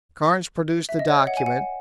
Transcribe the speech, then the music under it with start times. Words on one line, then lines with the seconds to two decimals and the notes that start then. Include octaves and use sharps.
Carnes produced the document.
0.89 E5
0.99 D#5
1.08 C#5
1.27 F#5
1.37 G#5
1.46 F#5